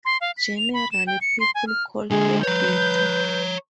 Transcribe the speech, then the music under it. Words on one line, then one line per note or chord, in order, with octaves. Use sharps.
Generally people call her "Vita".
C6
F5
B6
F7
B5
E7
G5
C#7
C6
G#5
F6
D3 G#3 G#4
B4 C#5 A#5 G6